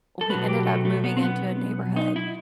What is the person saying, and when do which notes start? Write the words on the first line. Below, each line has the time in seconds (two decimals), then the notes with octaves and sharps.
uh, we ended up moving into a neighborhood,
0.21 A4
0.29 B2 F#3 A3 B4
0.48 G4
0.66 A3
0.85 A3
1.04 B3
1.17 C4
1.23 B3
1.96 D#4
2.16 E4